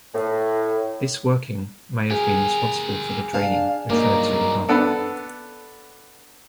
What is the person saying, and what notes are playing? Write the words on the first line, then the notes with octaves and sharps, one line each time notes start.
This working may have been responsible for the draining referred to above.
A2
G4 G#4 A#4
D4 F5 A5
G2 F#3 A#3 D#4 A#4 D5
B3 D4 A4